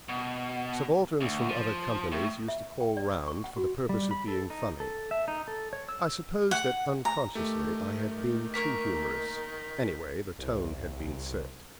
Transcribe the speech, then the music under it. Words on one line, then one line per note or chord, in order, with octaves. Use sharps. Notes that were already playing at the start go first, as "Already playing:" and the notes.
Subalterns from other companies used to call round for the purpose of being funny; I suppose that unconsciously I had been too humorous--anyway, the tone had been set.
B2
D2
F3
A2
E5
G5
D5
D6
C#6
F#5
F#4
G3
B5
A4
D#4
A4
E5
D#4
A4
C#5
E6
F#5
A#5
D#3 A3 G4
A#3 A#4 C#6 B6
C2